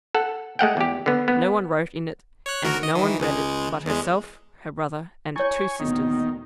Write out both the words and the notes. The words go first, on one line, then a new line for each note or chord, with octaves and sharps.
No one wrote in it, and no one read it, but herself, her brother, and two sisters.
A4 F#5
G#3 A3 F#5 G5
E2 G4
D3 B3
B3
C#5 F#6
D2 F#4 A#4
D#5
D#3 E3
C#2 G#3
E2 G#3
E4 C#5 G#5 C#6
D2 A#2 D#3 B3